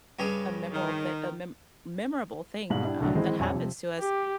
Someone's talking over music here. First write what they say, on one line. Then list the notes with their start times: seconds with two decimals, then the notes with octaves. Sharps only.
a a memorable th a mem memorable thing, um, that happens to us.
0.19 G2 C#3 G3
0.72 D#3
2.70 G#2 B2 G3 G#4 F5 F#7
2.85 D4 E4 G4
3.01 C2 A2 D3 F#3
3.14 D#3 E3 G#3 C4 D#4 E4
3.39 A#1 F2 G3 C#5 G#5
3.52 C3 F3
3.99 G4